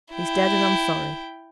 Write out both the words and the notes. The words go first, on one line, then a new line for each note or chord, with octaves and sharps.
He's dead, and I'm sorry.
E4 G5